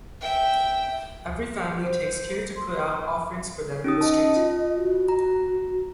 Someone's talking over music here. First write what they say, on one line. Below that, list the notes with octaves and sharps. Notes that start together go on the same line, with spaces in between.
Every family takes care to put out offerings for them in the street.
E5 G5
C5
C6
C#4 D#4 G4 D#6
D#5 A5
F4
F#4
A#5